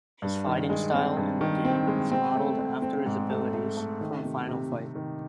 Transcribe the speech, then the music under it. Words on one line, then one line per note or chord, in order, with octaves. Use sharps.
His fighting style in the game is modeled after his abilities from "Final Fight".
G2
D#3
G#3
C4
G2
D#3
C4
G#3
C4
A3
C4
C4
G#2
A3
A3
A3
D#3
C3
C3
C3
D#3